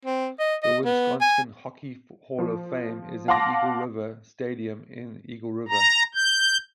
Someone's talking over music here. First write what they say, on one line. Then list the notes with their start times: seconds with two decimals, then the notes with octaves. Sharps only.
The Wisconsin Hockey Hall of Fame is in Eagle River Stadium in Eagle River.
0.05 C4
0.39 D#5
0.63 D#5
0.85 B3
1.21 G#5
2.39 F3
3.28 F5 F#5 A5 C6 D6 A#6
5.69 A#5
6.15 G6